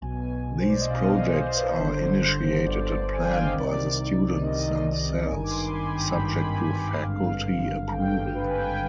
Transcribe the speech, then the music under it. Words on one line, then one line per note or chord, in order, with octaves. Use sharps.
These projects are initiated and planned by the students themselves, subject to faculty approval.
B1 B2 G#5
C5
D5
D#5
B1 B2 F5
D#5
C5
B4
G1 G2 D3 C5
C5
G1 G2 D3 D5
G#5
G5
F5
D#5
C2 C3 D#3 D5
C2 C3 D#3 D#5
G#1 G2 D#3 G#5
D6
C6
B5
G#5
G5
B5
G#1 G2 D#3 G#5
B5
G#5
B5
D6
G#1 G2 D3 F5
G#1 G2 D3 G5
B4
G#5
G5